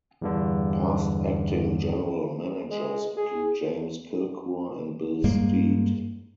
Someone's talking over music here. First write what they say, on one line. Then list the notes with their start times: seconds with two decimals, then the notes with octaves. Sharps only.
Past acting general managers include James Kilcur and Bill Stead.
0.22 E2 G2 D3
2.71 G#3
3.17 G#4
5.24 G2 G3 G#3 A#3